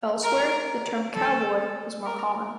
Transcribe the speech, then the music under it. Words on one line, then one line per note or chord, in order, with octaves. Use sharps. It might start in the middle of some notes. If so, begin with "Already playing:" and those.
Elsewhere, the term "cowboy" is more common.
A#4
A4
A#4